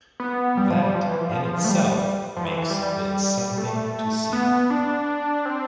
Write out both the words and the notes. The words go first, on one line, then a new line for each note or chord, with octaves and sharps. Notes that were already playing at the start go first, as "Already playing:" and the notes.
That, in itself, makes it something to see.
B3
G3
F3
G3
F3
E3
F3
F3
F3
F3
A3
G3
F3
E3
E3
G3
G3
A3
B3
D4
C4